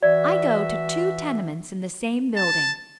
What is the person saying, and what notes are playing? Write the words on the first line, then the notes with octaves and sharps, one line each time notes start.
I go to two tenements in the same building.
E3 F#4 D5 E5
A5